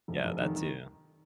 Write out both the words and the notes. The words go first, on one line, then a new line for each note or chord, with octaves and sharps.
Yeah, that too.
F1
F1
D#3
D#3